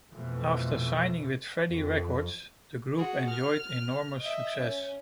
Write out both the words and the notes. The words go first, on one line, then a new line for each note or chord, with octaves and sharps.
After signing with Freddie Records, the group enjoyed enormous success.
F2 B2 E3 F3 A3
F2
F#4 G#4
F6
D#5 E5
C#4